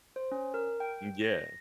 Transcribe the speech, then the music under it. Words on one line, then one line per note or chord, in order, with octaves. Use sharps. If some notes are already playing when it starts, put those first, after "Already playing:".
Mm yeah.
C5
C#4
A#4
G5
A#6